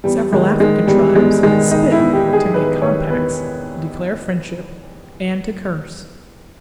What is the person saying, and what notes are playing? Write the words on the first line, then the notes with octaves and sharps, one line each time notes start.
Several African tribes spit to make compacts, declare friendship, and to curse.
E2 G3
D#3 G#3
D#3 G#3
E2 G3
E2 G#3
D#3 G#3
D#3 D#4
E4
E2
G4
E2
G#4
D#3 B4
D#3 C#5
E2 B4